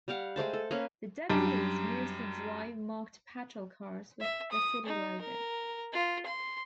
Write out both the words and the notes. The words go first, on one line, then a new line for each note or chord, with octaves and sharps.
The deputies mostly drive marked patrol cars with the city logo.
G3 G4 F5 F#5
G#3 A3 C5 A5
A4
A#3 C#4 B4
F#2 G3 D4
E5
D#6
D#4
A#4
F4
C6